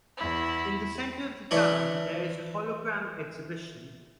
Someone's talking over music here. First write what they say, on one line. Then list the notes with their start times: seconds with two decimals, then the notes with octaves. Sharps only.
In the centre of the town there is a hologram exhibition.
0.17 E2 E4
1.51 E3 D4 E4 C#5